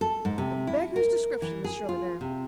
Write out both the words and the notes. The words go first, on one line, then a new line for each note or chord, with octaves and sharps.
It beggars description, Miss Shirley, ma'am.
A4
G#2
C3
E4
A#4
E3
G#4
F4
C3